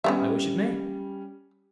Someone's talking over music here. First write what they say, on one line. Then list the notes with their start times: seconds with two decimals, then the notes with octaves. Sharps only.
"I wish it may."
0.04 G3 G#3 B3 C#4 E5